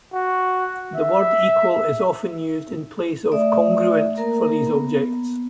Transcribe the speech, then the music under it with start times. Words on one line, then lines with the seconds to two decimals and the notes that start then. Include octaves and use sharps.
The word "equal" is often used in place of "congruent" for these objects.
0.13 F#4
0.96 E5
3.32 A3 D5 E5 D#6
4.17 A#3 A#4 A#5
4.67 B3